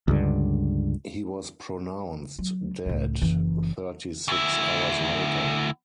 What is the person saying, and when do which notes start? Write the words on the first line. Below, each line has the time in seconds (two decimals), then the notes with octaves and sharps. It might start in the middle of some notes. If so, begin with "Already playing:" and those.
He was pronounced dead thirty-six hours later.
0.08 C#2 G2 D3
2.39 F#3
2.86 C#2 A2
3.21 F#1 E3
4.28 D2 E4